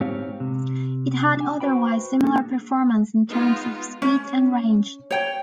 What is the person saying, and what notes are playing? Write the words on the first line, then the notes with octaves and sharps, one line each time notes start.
It had otherwise similar performance in terms of speed and range.
G#2 C4 G4 C#5 F5
C3
D4 G#5
F#4 B4 C5 G5 B5
A#3 D4 G#4 A4
G#3 B3 D#4 F4
C#4
C#5 G5